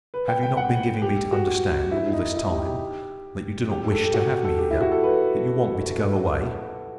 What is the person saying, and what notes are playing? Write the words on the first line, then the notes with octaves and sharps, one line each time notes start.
Have you not been giving me to understand, all this time, that you do not wish to have me here,--that you want me to go away?
B4
G5
G5
F#5
G4
F#4
E4
D#4
E4
G4
G4
G4
A4
G4
F#4
A4
G4
E4
F#4
A4
B4